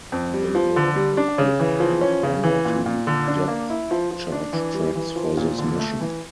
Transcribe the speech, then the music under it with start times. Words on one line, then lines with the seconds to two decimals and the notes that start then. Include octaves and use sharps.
They were equipped with one or two depth charge tracks for this mission.
0.12 F2
0.34 G3
0.55 F3
0.76 D3
0.96 G3
1.17 D4
1.38 C#3
1.60 E3
1.80 F3
2.01 C#4
2.23 C#3
2.44 E3
2.65 A#2
2.86 A#2
3.07 D3
3.28 D4
3.48 A#3
3.70 E4
3.91 F3
4.11 F3
4.32 D4
4.53 E3
4.74 G3
4.96 E3
5.16 F3
5.37 A#2
5.58 D3
5.79 A3
6.00 E3